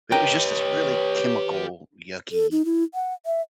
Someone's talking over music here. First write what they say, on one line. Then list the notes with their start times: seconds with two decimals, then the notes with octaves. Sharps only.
but it was just this really chemical yucky
0.12 G4 A#4 B4 C#5 D#5 G5
2.32 A4
2.51 D#4
2.65 E4
2.94 F#5
3.26 E5